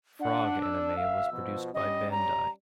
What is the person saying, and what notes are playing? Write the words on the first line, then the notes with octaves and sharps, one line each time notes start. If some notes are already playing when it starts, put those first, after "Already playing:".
Frog anime was produced by Bandai.
D4 F#5
E6
D2 E5 F5
B2 F3
G3 C#4 D#5
A#5